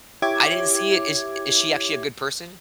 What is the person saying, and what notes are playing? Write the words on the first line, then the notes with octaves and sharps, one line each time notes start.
I didn't see it. Is is she actually a good person?
E4 G4 C#5 E5 D6 G#6